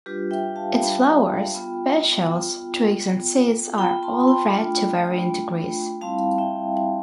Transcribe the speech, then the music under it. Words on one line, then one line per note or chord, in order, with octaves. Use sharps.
Its flowers, petioles, twigs and seeds are all red to varying degrees.
G3 D4 F4 G4 B4
E5 G5
F5 A5
G3 D4 F4 G5 B5
B3 F4
B3 F4
B3 F4
B3 F4 G5 B5
A5 C6
C6
G5 B5
A3 D4 F4
A3 D4 F4
G3 C4 E4 F5 A5
E5 G5
G3 C4 E4